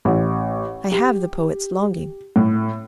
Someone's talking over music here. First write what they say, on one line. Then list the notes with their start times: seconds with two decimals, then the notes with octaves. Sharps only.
I have the poet's longing.
0.05 A1
0.92 G4
2.36 A2